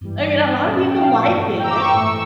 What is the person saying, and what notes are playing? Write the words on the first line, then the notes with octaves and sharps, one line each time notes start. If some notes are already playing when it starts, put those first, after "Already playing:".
I mean, a lotta people like it.
G2 E3 G3
A#2 F3 C#4
G5
F5 A5
G2 E3 A3
G5 A#5
E6
A#5 D6
C#6 E6
A2 E3 A3 C#6 E6